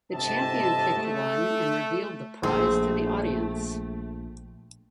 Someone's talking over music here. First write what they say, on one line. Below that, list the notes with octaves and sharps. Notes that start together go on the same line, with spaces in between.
The champion picked one and revealed the prize to the audience.
G1 G#2 C3 D#5 E5 A5
A3
A#1 A3 C4 G#4